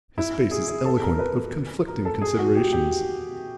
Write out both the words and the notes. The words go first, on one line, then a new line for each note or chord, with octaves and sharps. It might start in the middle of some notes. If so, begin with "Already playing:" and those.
His face is eloquent of conflicting considerations.
E4
G#4
G#4
A4
A#4
A#4
B4
A#4
A4
G#4
F#4
G4
G4